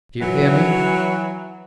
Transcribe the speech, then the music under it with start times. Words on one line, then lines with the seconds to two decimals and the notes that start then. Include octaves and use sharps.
Do you hear me?
0.20 E3 F#3